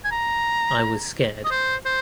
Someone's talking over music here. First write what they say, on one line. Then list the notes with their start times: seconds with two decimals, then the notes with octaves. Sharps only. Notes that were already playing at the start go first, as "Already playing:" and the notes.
I was scared.
0.05 G#5
0.12 A#5
1.45 D#5
1.51 C5
1.86 C5